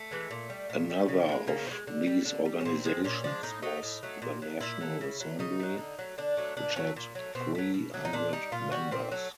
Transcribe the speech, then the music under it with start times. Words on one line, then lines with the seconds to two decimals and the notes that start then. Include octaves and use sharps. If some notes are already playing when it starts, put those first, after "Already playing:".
Another of these organizations was the National Assembly, which had three hundred members.
Already playing: A3
0.11 E3 G#3
0.31 A#2
0.50 G3
0.70 A#2
0.90 G3
1.08 C#3
1.29 F3
1.32 G#3
1.47 C#3 A#3
1.67 F3
1.71 G#3
1.87 D3
2.07 G3
2.26 D3
2.45 G3
2.61 C#4
2.65 A#2 C4
2.85 F3 G#3
3.04 A#2 C#4
3.24 F3 G#3 D4
3.43 A2 D#4
3.62 F#3 A3 D#4
3.83 A2
4.03 F#3 A3
4.22 A#2
4.42 F#3 A3
4.60 A#2 E4
4.80 F#3 A3
5.01 C#3
5.20 F#3 A3
5.39 C#3 D#4
5.59 A3
5.63 F#3
5.78 D3
5.98 F#3 A3
6.18 D3 D4
6.37 F#3 A3
6.57 A#2 D4
6.76 F#3 A3 C#4
6.96 A#2
7.15 F#3 A3
7.35 B2 C4
7.55 F#3 A3
7.74 B2
7.94 F#3 A3
8.05 D#4
8.13 A#2 D4
8.33 G3 D#4
8.52 A#2 F4
8.72 G3 F#4
8.91 A#2 C4
9.11 F#3 A3